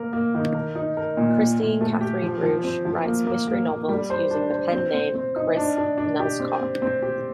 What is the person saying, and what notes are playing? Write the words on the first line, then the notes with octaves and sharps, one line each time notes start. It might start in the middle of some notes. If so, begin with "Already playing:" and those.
Kristine Kathryn Rusch writes mystery novels, using the pen-name "Kris Nelscott".
Already playing: A#3 A#4
A#3
D#3
A#4
D#4
A#4
A#2
A#2
A#2
A3
G4
F3
F3
C4
F3
A#3
A#3
A#3
A#3
G3
C5
D4
C5
C4
C4
C4
D#4
D4
D4
D4
G4
C4
C4
C4
G4